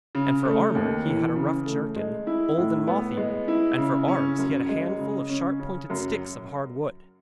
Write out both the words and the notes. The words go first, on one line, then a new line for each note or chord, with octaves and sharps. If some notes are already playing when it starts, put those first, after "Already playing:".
And for armour he had a rough jerkin, old and moth-eaten, and for arms he had a handful of sharp-pointed sticks of hard wood.
C#3
A3
D#2
E3
C#3
A3
G#3
E4
A2
B3
G#3
E4
C#3
C#4
F#2
G#3
C#3
C#4
C#3
F#2